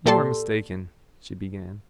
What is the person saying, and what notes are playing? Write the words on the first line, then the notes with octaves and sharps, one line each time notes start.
"You are mistaken," she began.
A#2 G4 A4 D5 A5 C6